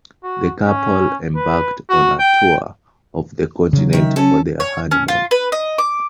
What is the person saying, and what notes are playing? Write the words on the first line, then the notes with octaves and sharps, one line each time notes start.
The couple embarked on a tour of the continent for their honeymoon.
F#4
C#4
B4
F#4
G5
C#3 F#3
D#3 E5
C#4 A4
C#5
C#4
F4
B4
D#5
D6